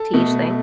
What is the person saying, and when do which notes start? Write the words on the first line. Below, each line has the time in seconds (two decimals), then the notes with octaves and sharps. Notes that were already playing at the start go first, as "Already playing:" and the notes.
to each thing?
Already playing: A4
0.14 B2 A3